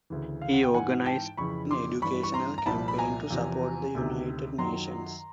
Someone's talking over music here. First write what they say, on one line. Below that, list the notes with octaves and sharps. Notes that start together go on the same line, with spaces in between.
He organized an educational campaign to support the United Nations.
D2 C#3 E3
F5
F#5
G5
G#2 E3 F#5 G#5
G5 A5
F2 C#3 E3 B5 C#6
C6 D6
G2 E3 B5 C#6
C#6
A#5 C6
A#5
C2 A#2 F3 A5 B5
B5
G#5 A#5
E2 C3 F3
D2 C3 D#3
F#2 D#3 F#3 A#5 C6